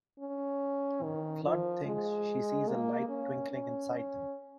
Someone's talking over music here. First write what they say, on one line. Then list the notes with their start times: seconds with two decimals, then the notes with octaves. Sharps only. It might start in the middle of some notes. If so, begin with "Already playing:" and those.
Flood thinks she sees a light twinkling inside them.
0.19 C#4
1.03 D#3
1.45 F3
1.85 G#3
2.68 A#3
3.09 C#4
3.51 C#4